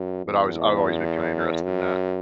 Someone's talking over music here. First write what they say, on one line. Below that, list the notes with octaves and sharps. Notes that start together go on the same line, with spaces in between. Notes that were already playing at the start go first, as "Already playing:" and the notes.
But I was I've always been kinda interested in that.
Already playing: F#2
E2
F#2